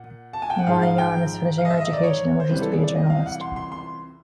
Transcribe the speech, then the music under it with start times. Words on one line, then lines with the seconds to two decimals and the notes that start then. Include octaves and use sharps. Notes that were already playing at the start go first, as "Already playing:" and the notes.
Ma Yan is finishing her education and wishes to be a journalist.
Already playing: A#2 F#5
0.33 A5
0.42 G#5
0.50 G5
0.59 F#5
0.67 G#2 F3 G#3 F5
0.82 F5
0.98 G5
1.58 F5
1.65 D#5
1.70 E5
1.81 D#5
1.93 D5
2.03 C#5
2.40 C5
2.49 C#2 C3 E3 G3 B4
2.62 A4
2.72 G#4
2.84 D5
2.95 D#5
3.10 F5
3.26 F#5
3.41 C6
3.56 C6
3.72 C6